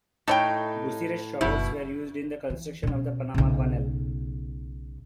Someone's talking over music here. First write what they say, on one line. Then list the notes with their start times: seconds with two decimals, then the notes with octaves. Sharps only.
Bucyrus shovels were used in the construction of the Panama Canal.
0.28 A2 D#4 A4 C#5 G5
1.41 F#1 B2 F#3 E4
2.50 E3
2.83 B2 C#4
3.34 B1 C#3